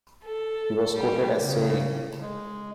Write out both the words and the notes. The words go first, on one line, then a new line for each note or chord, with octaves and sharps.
He was quoted as saying.
A4
G3
C#3
G#3